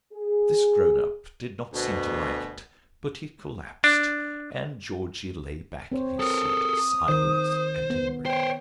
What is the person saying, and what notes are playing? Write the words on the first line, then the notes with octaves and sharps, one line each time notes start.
This grown-up did not seem to like it, but he collapsed, and Georgie lay back in his seat, silent and enraptured.
G#4
D2 B2
D4
C4 C5 C#5
A4 A#4 D#6
D#3 A#4 C5
B3
C5 C#5 G5